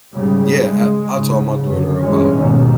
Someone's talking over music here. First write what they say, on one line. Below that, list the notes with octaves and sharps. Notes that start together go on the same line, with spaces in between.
Yeah, I I taught my daughter about
G#2 C#3 G3
G#3
G#2 C#3
F#2 D3
G2 A#2 E3 G#3 C#4
D#2 G#2 B2 D#3